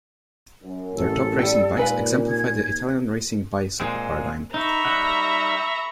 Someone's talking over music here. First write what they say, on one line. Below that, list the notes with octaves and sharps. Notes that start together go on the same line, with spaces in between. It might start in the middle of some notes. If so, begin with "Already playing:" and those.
Their top racing bikes "exemplify the Italian racing bicycle paradigm".
F#2
A1 A4
G3 G5
D#2 A#2 G#3 B4 F5
G#6
A#2 G#3 C4
D#4 E5 A#5 B5 C#6
G3 D#4 F#5